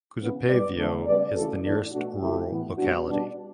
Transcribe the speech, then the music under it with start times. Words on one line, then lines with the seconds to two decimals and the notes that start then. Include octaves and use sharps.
Kusepeyevo is the nearest rural locality.
0.20 C#3 E3 B3
0.48 A2 G3 B3 B4 D5
0.77 D3 F#3 A3
1.06 C#3 G3 B3 B4 D5
1.34 C#3 E3 A3 F#4 A4
1.63 A2 E3 B3 D4
1.91 B2 A3 D4 F#4
2.20 C#3 F#3 A3 E4 G4
2.49 A2 E3 B3
2.78 B2 G3 B3 D4 F#4
3.06 B2 G3 B3 D4